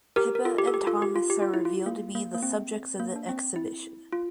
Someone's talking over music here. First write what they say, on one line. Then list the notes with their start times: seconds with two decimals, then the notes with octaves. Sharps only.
Pippa and Thomas are revealed to be the subjects of the exhibition.
0.16 G4 A#4
0.35 A#4
0.45 F4 A4
0.58 G4
0.68 A4
0.74 G4
0.87 F4 A4
1.02 G4
1.16 F4
1.30 G4
1.42 F4
1.54 E4
1.65 F4
1.86 A#3
2.15 A#3
2.34 A#3
2.43 C4
3.00 A#3
3.16 D4
3.29 C4
3.56 E4
4.13 F4